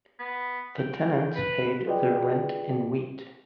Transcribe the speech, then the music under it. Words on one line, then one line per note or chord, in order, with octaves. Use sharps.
The tenants paid their rent in wheat.
B3
G5
B4
F4 G#4 B4 D5 D#5 G5